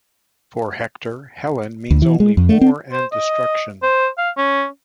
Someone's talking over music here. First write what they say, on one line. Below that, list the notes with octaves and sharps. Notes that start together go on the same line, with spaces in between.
For Hector, Helen means only war and destruction.
D2
E3
G#3
F2
A3
C4
C5
D#5
C5
F5
C#4